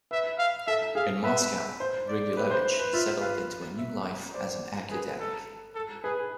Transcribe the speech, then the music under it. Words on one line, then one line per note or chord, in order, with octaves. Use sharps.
In Moscow, Grigulevich settled into a new life as an academic.
B4 E5
F5
A4 E5
G#4 F5
B4 E5
C5
D5
B4
C5
B4
F4 E5
B4 F5
E5
C5 D5
G#4 B4
A4
A4
G#4 B4